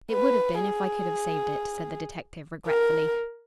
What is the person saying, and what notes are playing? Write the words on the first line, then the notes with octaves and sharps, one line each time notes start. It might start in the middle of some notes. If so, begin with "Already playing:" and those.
"It would have been if I could have saved it," said the detective regretfully.
B4
G#4
A#4